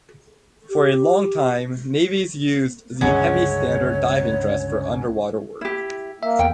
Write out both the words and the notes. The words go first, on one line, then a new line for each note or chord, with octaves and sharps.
For a long time navies used the heavy standard diving dress for underwater work.
G4
C#2 G2 D3 F#3 G#3 C#4 F#4 C#5
E4 G4
A#3 E5
E2 G5